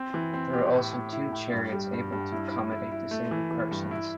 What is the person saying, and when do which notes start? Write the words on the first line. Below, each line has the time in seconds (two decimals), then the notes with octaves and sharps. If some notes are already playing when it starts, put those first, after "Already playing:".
There are also two chariots able to accommodate disabled persons.
Already playing: C4
0.14 E3
0.34 C4
0.53 G4
0.73 A2
0.93 A2
1.13 E4
1.32 A2
1.53 G2
1.72 G3
1.93 G2
2.12 G2
2.32 E4
2.52 E4
2.72 E4
2.92 E4
3.11 A3
3.31 E3
3.51 E3
3.71 G2
3.91 E4